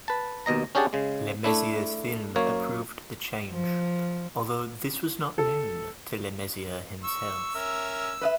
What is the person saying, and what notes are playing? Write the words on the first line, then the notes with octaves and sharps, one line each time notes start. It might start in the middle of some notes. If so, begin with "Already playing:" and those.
LeMessurier's firm approved the change, although this was not known to LeMessurier himself.
B4 A5
D#2 B2 D#5 A#5
C#4 D4 G4 G#4 D5 F#5
C#3 G#3
A3 D4 E4
F#2 A#3 C#5
F3
A4
C#6 E6
C#4 A#4 E5
B4 D#5 E5